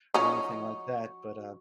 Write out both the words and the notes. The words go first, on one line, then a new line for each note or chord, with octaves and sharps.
or anything like that, but, uh
F3 C#4 D#4 F#4 C#6